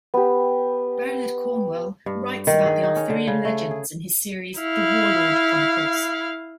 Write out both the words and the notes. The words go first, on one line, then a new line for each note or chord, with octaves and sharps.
Bernard Cornwell writes about the Arthurian legends in his series "The Warlord Chronicles".
B3 G4
G2
D#3
G#4
D#4
C#4
D3
C#3
A3
G#4
E4 F5